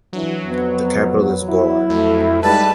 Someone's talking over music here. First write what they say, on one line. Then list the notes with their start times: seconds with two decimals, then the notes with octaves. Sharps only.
The capital is Bouar.
0.13 E3 F#3 D4 E4
0.46 F2 B3
1.49 E4
1.90 F2 F3 F#3 A3
2.43 G3 G#3 D#4 B4 A5